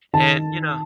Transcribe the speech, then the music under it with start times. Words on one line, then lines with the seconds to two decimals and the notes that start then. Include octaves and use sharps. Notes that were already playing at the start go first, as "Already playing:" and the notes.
and, you know
0.13 D#3 A5